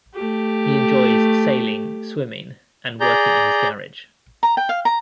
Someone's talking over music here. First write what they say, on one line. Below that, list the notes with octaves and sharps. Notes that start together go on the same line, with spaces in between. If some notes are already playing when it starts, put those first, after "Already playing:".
He enjoys sailing, swimming, and working in his garage.
A3 G4
G#4 D5 A#5 G6
A#5
G5
F5
A#5